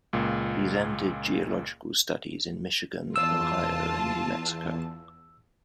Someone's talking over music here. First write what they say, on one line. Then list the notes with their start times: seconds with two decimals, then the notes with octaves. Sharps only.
He then did geological studies in Michigan, Ohio, and New Mexico.
0.13 C#2 A#2
3.16 E2 F4 A5 E6